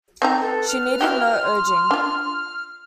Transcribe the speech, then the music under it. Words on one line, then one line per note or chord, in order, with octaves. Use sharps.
She needed no urging.
C4 D#4 G5 A#5
A4 B4
F6
E4 F#4 G4
C6
D4 F4